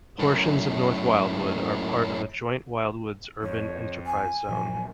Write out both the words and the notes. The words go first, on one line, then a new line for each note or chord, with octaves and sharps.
Portions of North Wildwood are part of a Joint Wildwoods Urban Enterprise Zone.
F#2 A2
F2 C#5
G#5
A#2 F3 F#3